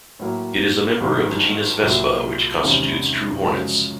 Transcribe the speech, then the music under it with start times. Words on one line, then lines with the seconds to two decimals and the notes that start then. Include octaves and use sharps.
It is a member of genus Vespa which constitutes true hornets.
0.19 A2 F#3 A#3
1.01 G#1 G2 D#3 G3 B3
1.83 C2 A#2 F#3
2.64 E2 C3 D#3 G#3 C#4
3.46 F#2 C#3 F3 G#3